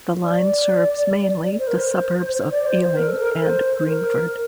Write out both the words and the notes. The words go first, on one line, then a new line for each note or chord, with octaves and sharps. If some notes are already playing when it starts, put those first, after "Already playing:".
The line serves mainly the suburbs of Ealing and Greenford.
D5
C5
A#4
C5
D5
C5
C5
A#4
A4
A#4
A4
C5
A#4